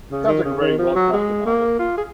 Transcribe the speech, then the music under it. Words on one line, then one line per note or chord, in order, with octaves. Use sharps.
It sounds like a very well-crafted novel.
C#3
D#3
C#3
D#3
F3
F#3
G#3
A#3
F4
G#4